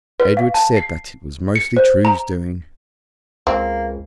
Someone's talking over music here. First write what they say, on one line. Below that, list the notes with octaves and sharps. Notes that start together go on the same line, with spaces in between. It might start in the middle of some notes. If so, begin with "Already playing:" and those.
Edred said that it was mostly True's doing.
B4
F5
A5
C7
C#7
C5
A#5
C#2 A#3 C4